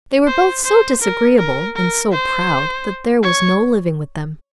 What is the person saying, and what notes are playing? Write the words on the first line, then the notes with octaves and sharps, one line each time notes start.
They were both so disagreeable, and so proud, that there was no living with them.
C5
C5
A#4
A#4
A#4
C5
C#5